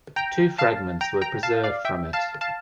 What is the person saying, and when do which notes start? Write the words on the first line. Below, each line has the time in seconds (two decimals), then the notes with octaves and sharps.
Two fragments were preserved from it.
0.16 G5 A#5
0.58 F5 A5
1.01 G5 A#5
1.22 G5 A#5
1.43 F5 A5
1.64 D5 F5
1.85 E5 G5
2.13 F5 A5
2.41 F5 A5